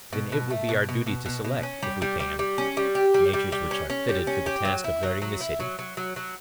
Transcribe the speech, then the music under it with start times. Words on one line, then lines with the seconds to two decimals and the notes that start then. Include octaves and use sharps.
Then it will be our duty to select, if we can, natures which are fitted for the task of guarding the city?
0.13 B2
0.32 B2
0.50 A3
0.69 B2
0.89 B2
1.07 B2
1.26 B2
1.45 B2
1.63 C#4
1.82 G3
2.02 G3
2.20 G3
2.39 G3
2.58 C#4
2.77 G3
2.95 G4
3.14 G3
3.34 G3
3.52 G3
3.71 C#4
3.90 C#4
4.09 G3
4.27 C#4
4.46 G4
4.65 F#3
4.84 E4
5.03 F#3
5.22 F#3
5.41 E4
5.60 F#3
5.79 F#3
5.97 F#3
6.16 F#3